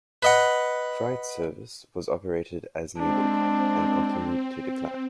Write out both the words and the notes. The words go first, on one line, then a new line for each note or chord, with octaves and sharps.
Freight service was operated as-needed, and continued to decline.
B4 D#5 F#5
G#3 C4 D4